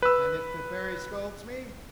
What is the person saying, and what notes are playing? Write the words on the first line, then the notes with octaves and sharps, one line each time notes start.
"And if the Fairy scolds me?"
B4 E6